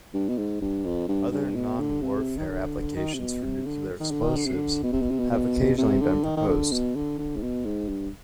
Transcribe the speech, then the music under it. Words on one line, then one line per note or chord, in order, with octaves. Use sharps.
Other, non-warfare, applications for nuclear explosives have occasionally been proposed.
G2
B2
G#2
G2
F2
G2
G2
B2
D3
C3
D#3
D3
D#3
C3
B2
C3
D3
D#3
D3
D#3
D3
C3
D3
B2
C3
B2
C3
B2
B2
C3
D3
D#3
D#3
D3
B2
D3
D3
G#2
B2
G#2
G2